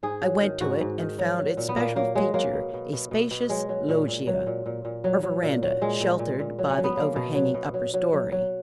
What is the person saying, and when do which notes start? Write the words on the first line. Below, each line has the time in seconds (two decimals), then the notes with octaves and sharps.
I went to it, and found its special feature a spacious loggia or verandah, sheltered by the overhanging upper story.
0.03 G#2 G#4
0.22 F#3
0.41 D#3
0.61 G#2 F#4
0.80 G#2
0.99 D#3
1.18 F#3
1.38 F#3
1.57 A#2
1.69 B3
1.77 A#2 A#3
1.96 F#3 A#3
2.15 F#3 G#3
2.34 F#3 A#3
2.53 B2
2.74 B2
2.93 B2
3.11 B2
3.31 B2
3.49 F#3 G#3
3.69 F#3
3.89 A#2
4.08 A#2
4.27 F#3
4.47 A#2
4.66 A#2
4.85 A#2
5.04 F#3
5.23 F#3
5.43 A#2
5.62 F#3
5.81 A#2 G#3
6.00 A#2
6.19 A#2
6.40 A#2
6.59 F#3
6.70 C#4
6.78 F#3
6.84 B3
6.97 F#3 A#3
7.16 B2
7.35 F#3
7.54 B2
7.74 F#3
7.94 F#3
8.12 F#3
8.32 F#3